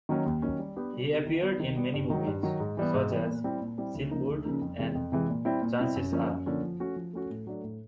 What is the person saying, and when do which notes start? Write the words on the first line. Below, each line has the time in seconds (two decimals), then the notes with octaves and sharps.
He appeared in many movies, such as "Silkwood" and "Chances Are".
0.09 D#3 F#3 A#3 C#4
0.26 D#2
0.42 D#3 F#3 A#3 C#4
0.59 G3
0.76 B3 D4 G4
0.93 G3
1.09 B3 D4 G4
1.27 D#3
1.42 G3 B3
1.60 D#3
1.76 G3 B3
1.94 G2
2.10 D#3 F#3
2.27 G2
2.43 D#3 F#3
2.60 G#2
2.77 E3 G3 B3
2.94 G#2
3.11 E3 G3 B3
3.27 A#2
3.44 G3 C4 E4
3.61 A#2
3.78 G3 C4 E4
3.95 D2
4.11 C#3 F3 A#3 D#4
4.28 D2
4.45 C#3 F3 A#3 D#4
4.61 F2
4.79 C3 E3 G#3
4.95 F2
5.12 C3 E3 G#3
5.28 A#2
5.45 G3 C4 E4
5.62 A#2
5.79 G3 C4 E4
5.96 F#2
6.12 D3 F3 A#3 C#4
6.29 F#2
6.46 D3 F3 A#3 C#4
6.63 F3
6.80 A3 C#4 F#4
6.96 F3
7.13 A3 C#4 F#4
7.30 A2
7.47 F#3 A3 D4
7.64 A2